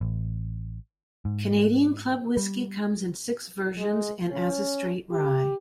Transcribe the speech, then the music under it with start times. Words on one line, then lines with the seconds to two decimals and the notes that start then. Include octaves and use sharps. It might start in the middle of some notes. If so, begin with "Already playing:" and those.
Canadian Club whisky comes in six versions, and as a straight rye.
0.01 A1
1.25 G#2
2.37 G3
3.78 G#3
4.31 C#4
5.12 G4